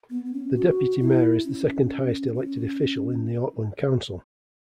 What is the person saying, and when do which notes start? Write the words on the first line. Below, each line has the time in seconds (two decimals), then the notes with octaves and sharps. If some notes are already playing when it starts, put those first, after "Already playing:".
The deputy mayor is the second highest elected official in the Auckland Council.
0.10 B3
0.25 B3
0.33 C#4
0.55 F#4
1.00 E4
1.45 C#4
2.35 C#4